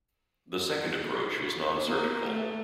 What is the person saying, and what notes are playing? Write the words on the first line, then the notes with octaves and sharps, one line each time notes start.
The second approach was nonsurgical.
A#3
A3